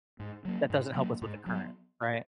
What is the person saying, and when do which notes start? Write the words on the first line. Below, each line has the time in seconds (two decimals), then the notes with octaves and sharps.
that doesn't help us with the current, right?
0.20 G#2
0.45 F#3 A#3
0.70 G#2
0.95 F#3 A#3
1.22 G#2
1.46 F#3 B3